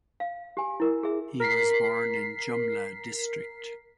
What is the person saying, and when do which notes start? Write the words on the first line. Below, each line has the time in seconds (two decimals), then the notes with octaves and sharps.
He was born in Jumla district.
0.20 F5
0.57 G4 G#5
0.80 E4 A#4
1.03 G#4 E5
1.40 A#4 B6 C7